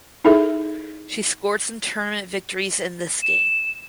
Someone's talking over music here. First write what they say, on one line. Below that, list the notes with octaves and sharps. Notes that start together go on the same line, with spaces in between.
She scored some tournament victories in this game.
D#4 E4 G#4 A4 E5
E7